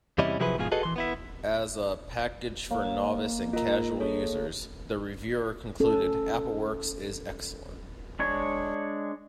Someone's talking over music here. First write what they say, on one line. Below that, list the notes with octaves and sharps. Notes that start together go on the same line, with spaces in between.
As a package for novice and casual users, the reviewer concluded, "Appleworks is excellent".
E2 C3 G3 C#4 E4 D#5
C3 F3 F#3 E4 G#4 B4
G#2 B2 F3 F4 G#4
F#4 G#4 A4 B4 D#5
E3 C6
B3 E4 E5
A#3 C#5
F4 A#4 D#5 A#5
G#4 A4 C#5
C#4 A4
G#3 D4 C#5